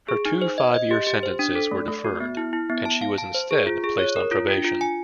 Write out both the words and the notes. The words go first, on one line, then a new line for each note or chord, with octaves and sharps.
Her two five-year sentences were deferred, and she was instead placed on probation.
G#4
D#4
C5
D#5
D#5
G4
G4
C5
D4
A4
A3
A3
F#4
B3
E4
E4
B3
A5
F5
A5
C5
G#4
F4
G#4
C#5
A#4
F4
D4
F4
G#5